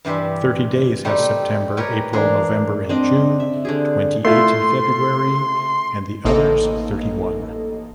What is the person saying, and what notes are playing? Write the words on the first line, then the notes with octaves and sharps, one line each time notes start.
Thirty days has September, April, November and June, twenty-eight in February, and the others thirty-one.
G2 C3 E3 G4 C5 E5
G3 A3 C4 D#4 G4
G4 A#4 B4 C#5 G5 G#5
E3 A#3 D4 G#4
C4 D4 D#5
E5
D3 G4 G#4
A3 E4 F4 C6
A1 A#3 D#4 A4 D#5